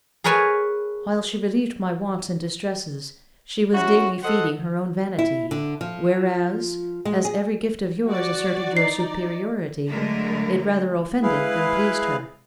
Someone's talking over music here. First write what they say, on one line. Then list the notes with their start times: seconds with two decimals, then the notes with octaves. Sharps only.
While she relieved my wants and distresses she was daily feeding her own vanity; whereas, as every gift of yours asserted your superiority, it rather offended than pleased her.
0.24 G#4 A#4 B4 C#5 G#5 A5
3.74 C#4 E4 F#4
4.23 A4 C5 D#5 F#5
5.19 E4
5.51 D3
5.81 F3
7.05 G#3
7.25 G#4
8.06 F#4 D5
8.77 D#4 D5 C7
9.89 D3 F#3 G#3 A3 A#4
11.22 G#3 E4 G#4 B4 F5